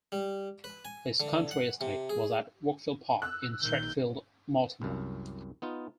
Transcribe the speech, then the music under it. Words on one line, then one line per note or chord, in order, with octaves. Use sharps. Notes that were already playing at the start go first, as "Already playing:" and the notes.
His country estate was at Wokefield Park in Stratfield Mortimer.
G3
B4
G#5
D3
F#5
C3
G#4
E6 F#6
A#1 D#3 G6
C2 F#2
B3 D#4 F4